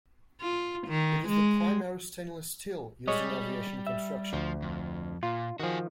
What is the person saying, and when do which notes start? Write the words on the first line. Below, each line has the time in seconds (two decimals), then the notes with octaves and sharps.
It is the primary stainless steel used in aviation construction.
0.41 F4
0.88 D#3
1.28 G#3
3.08 G3 G#3 C#5 D#5
3.87 E5
4.33 D2 F3
4.62 F2
5.23 A#2 F4
5.60 D#3 F3 F#4 G#4